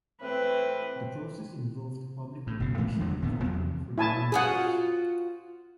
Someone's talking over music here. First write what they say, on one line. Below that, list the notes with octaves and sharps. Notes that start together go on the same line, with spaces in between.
The process involved public nomination and voting for the new names.
A2 E3 C4 B4
A2
F#1 C#3
A2 E3 G#3 A3
E2 D3 E3 F#3
D1 A#2 D3 B3
E2 C3 F#3
E4 G#5 A5
F4 F#4 G#4 C5 F#5